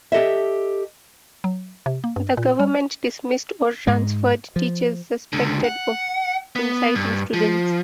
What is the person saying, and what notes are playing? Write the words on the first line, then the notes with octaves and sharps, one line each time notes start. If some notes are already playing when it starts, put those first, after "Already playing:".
The government dismissed or transferred teachers suspected of inciting students.
G4 A4 D#5 E5
F#3
C3
A#3
G2
A#2
G3
G#2 G#3
F3
C#2 D3
F#5
B3
G2
F3